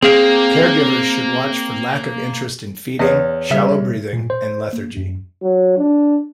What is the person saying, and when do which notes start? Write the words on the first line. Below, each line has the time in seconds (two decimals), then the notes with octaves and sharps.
Caregivers should watch for lack of interest in feeding, shallow breathing, and lethargy.
0.03 A#3 C4 G#4 F5
2.99 E2 B4 C#5 D#5
3.51 C#3 G3 E5 F6
4.13 A#2
4.30 C5
4.73 A#3
4.97 F#2
5.42 F#3
5.77 D4